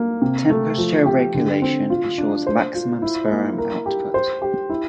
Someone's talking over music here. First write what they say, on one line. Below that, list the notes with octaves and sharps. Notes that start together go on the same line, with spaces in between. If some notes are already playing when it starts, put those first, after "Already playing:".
Temperature regulation ensures maximum sperm output.
Already playing: A#3
C3
A3
F3
G4
D3
C4
F4
D4
C5
F4
E4
A#3
A#4
G4
C5
G4
E4